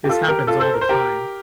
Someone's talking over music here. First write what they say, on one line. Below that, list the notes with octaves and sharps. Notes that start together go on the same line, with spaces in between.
this happens all the time.
G4
F4 A4
G4 A#4
F4 A4
A4 C5
A#4
C5
G4 A#4